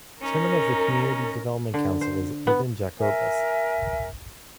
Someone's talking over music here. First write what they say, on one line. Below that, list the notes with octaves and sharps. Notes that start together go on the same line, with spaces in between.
Chairman of their Community Development Council is Aiden Jacobus.
C#4 D#4 A#4
D3
C5
B3
A#4 E5 G#5